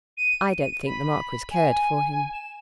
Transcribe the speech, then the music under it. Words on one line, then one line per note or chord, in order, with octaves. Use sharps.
"I don't think the Marquis cared for him."
D#7
D#7
B5
G#5
E7